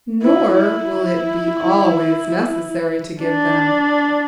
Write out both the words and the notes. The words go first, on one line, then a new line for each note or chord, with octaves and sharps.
Nor will it be always necessary to give them.
E4
E4
D4